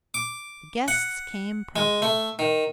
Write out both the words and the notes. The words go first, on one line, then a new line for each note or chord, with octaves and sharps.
The guests came promptly.
D6
F#5
G#3
A3
D#3